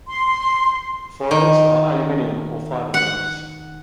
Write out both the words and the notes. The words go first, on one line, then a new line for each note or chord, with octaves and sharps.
Foils are aluminium or fibreglass.
C6
D#3
F#5